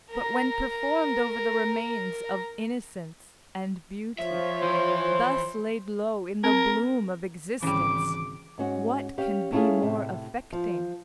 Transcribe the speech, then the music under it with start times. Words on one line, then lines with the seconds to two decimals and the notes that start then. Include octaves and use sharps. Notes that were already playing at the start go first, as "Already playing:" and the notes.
But when performed over the remains of innocence and beauty, thus laid low in the bloom of existence, what can be more affecting?
0.10 A#4 A#5
4.19 F3 C#5 E5
4.62 E3 E4 C5
6.44 C4 A#4
7.62 G#1 C#3 E3 G3 D6
8.58 G#2 C#4 F#4
9.18 C#4 G4 F5
9.52 A3 C#4 E4 F4 G#4
9.82 A2 C3
10.52 F3